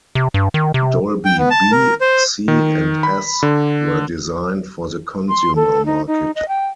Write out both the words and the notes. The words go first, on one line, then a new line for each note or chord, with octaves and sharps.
"Dolby B", "C", and "S" were designed for the consumer market.
C3
G2
D#3
C3
G5
B3
A5
A#4
C5
D#3
B5
D3
C6
A4
D#4
D#4
D#5
G5